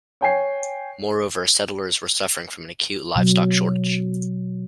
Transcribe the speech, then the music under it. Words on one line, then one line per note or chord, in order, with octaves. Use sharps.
Moreover, settlers were suffering from an acute livestock shortage.
C#5 G5 G#5 C7
B2 F#3